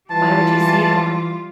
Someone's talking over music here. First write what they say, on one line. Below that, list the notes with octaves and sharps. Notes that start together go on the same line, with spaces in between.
Why would you say that?"
E3 G3 F4 A5